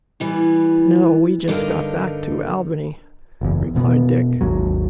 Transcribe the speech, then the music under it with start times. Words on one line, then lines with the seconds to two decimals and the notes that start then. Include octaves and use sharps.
"No, we just got back to Albany," replied Dick.
0.20 E3 G3 B3
1.48 G2 D3 D#4 A#4 F5
3.41 F#1 E2
3.75 F2 B2 B3
4.41 G#1 D#2 F#3